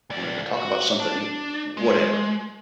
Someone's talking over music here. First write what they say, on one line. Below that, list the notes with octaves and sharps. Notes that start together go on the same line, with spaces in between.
wanted to talk about something, you whatever.
C#2 D5
F#4
D4
G#3